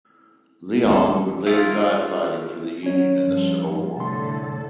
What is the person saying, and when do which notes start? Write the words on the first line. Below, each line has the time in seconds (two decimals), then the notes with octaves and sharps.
Lyon would later die fighting for the Union in the Civil War.
0.84 D#1 A1 G#3 D4 A4
1.46 A3 F4 G#4 A#4
2.83 F#3 C#4 C#5
3.20 G2 F3
3.96 C2 A2 D3 A4 C6